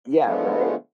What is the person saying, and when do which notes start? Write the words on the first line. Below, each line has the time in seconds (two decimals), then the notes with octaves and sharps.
Yeah, right?
0.25 D3 F3 G#3 A3 B3